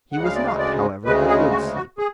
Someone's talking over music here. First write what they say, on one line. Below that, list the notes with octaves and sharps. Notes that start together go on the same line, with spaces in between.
He was not, however, a good sleeper.
D2 C#3 G#3 F#5
F5
D5
F5
D5
D2 C#3 G#3 B4
G#4
F#4
F#4
G#4